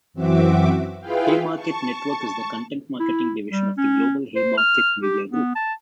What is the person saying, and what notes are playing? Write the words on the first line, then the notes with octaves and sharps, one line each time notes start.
Haymarket Network is the content marketing division of the global Haymarket Media Group.
F#2 E3 C4 F#4 E5 D6
E4 F4 G#4 B4 F5 G5
A5 C#6
E4
G3
C#4
C5
F6
G4
B3
A5